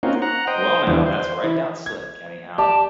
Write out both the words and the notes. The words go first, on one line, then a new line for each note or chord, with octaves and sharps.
Well, now, that's right down slick, anyhow.
A#3 C4 C#4 D#4 F4 F#4
F#5 A#5
C5 D#5 G5
E2 D3 E3 F3 G3
C5
E3 E4
G#6
G4 D5 A5 D6